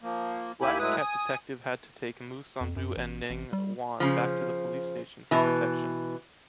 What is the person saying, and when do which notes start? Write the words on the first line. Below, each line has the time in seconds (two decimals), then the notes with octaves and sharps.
Black Cat Detective had to take Mou Sandu and Neng Yuan back to the police station for protection.
0.01 F3 A#3
0.61 D#2 A#3 E4 G4 G#5 B5
0.79 A2 F#3 G#3 E4 B4 D#6
0.97 G#5 D#6
2.61 F2
2.76 F#2
2.97 A1
3.30 A1
3.53 G3
4.00 C#3 F3
5.31 B2 E3